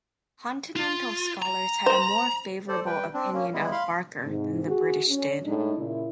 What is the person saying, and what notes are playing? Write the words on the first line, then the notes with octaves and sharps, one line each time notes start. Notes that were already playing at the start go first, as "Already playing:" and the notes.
Continental scholars had a more favourable opinion of Barker than the British did.
F4
A#5
C5
A4 C5 D5
G3 B4 G5
C4 D4
A#3 C#4
G3 G#3 B3 E4
F5 B5 C6
G#2 C3
F#4 G#4
C#4
A2 G#3 D4 D#4
A#2 C#3 E4